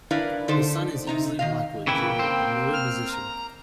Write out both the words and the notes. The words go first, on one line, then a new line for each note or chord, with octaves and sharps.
His son is Easley Blackwood Junior a noted musician.
D4 E4 A#4 B4 D5 F5
D3 D#4 A4 C5 D5
C3 D#4 A#5
D#3 D#5 F5
C#3 E3 A#3 E4 G5
C4
F6
A#5